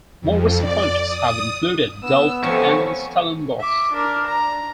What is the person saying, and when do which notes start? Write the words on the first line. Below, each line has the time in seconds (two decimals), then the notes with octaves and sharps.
More recent projects have included Delft and Stellenbosch.
0.20 F2
0.56 D5
1.05 D#6
2.03 B3 E6
2.44 C3 F3 A3 C#4 C#6
3.60 E5 D6
3.92 D4 A#4
4.27 A#5